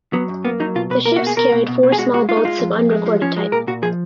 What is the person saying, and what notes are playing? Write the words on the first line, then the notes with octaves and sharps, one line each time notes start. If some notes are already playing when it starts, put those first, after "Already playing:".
The ships carried four small boats of unrecorded type.
F#3 B3
F#2
A#3 B3
F#3 D#4
B2 F4
B2 B4
A#3 A#4
F#4
B2
G#4
B2 A#4
B2
B2
B2
G#4
G#3 F#4
G#3 F#4
G#3 F4
D#4
G#3 F4
F2
F2
G#3
F3
F3 C#4
G#3
A#2 A#4
A#2 F#4
F3 G#4